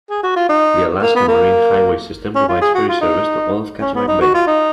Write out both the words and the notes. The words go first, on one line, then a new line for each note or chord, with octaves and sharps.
The Alaska Marine Highway System provides ferry service to all of Kachemak Bay.
G#4
F#4
F4
D#4
A#3
B3
A#3
C#4
F4
G#4
F#4
F4
D#4
C#4
B3
D#4
F#4
F4
D#4